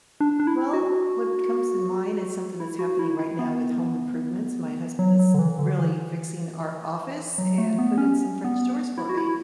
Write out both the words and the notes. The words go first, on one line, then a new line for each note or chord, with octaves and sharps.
Well, what comes to mind is something that's happening right now with home improvements, my husband is, uh, really fixing our office and put in some French doors for me.
D4
D4
E4
F#4
E4
F#4
E4
E4
B3
F#3
F#3
D3
E3
D3
E3
F#3
A3
B3
C#4
B3
E4
F#4
E4